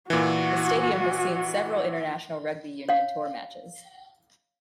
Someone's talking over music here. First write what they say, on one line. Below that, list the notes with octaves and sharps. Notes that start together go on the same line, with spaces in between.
The stadium has seen several international rugby union tour matches.
A#2 E3 F#4
C#5 F5